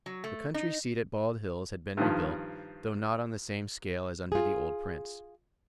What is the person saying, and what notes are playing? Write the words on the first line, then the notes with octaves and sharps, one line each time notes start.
The country seat at Bald Hills had been rebuilt, though not on the same scale as under the old prince.
F#3
A3
D#4
G2 D#3 F3
F4 G#4